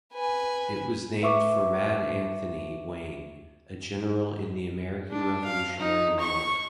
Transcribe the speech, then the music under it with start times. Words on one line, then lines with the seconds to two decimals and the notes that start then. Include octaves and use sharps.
It was named for "Mad Anthony" Wayne, a general in the American Revolutionary War.
0.13 B4 G#5
1.22 B4 E5 C#6 D6
5.11 D4
5.44 F5
5.79 D#4
6.19 C#6